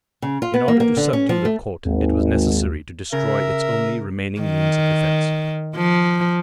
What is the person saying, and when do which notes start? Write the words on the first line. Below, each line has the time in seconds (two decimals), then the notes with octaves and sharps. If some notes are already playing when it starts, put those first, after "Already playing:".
In order to subdue the court, it was necessary to destroy its only remaining means of defence.
0.22 C#3
0.42 F4
0.54 B3
0.68 A#3
0.80 A#3
0.97 D3
1.13 C#4
1.29 F3
1.45 A3
1.86 G#1 D#2
3.13 C#3 A#4 E5
4.41 D#3
5.76 F3